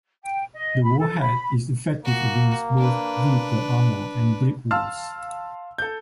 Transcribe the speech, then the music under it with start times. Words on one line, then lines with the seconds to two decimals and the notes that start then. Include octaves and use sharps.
The warhead is effective against both vehicle armour and brick walls.
0.23 G5
0.53 D#5
0.83 B5
1.00 A4
1.21 B5
2.05 A#3 F#4
2.77 D4 B4
4.71 F5 A5 C6 E6 F6
5.78 A4 G6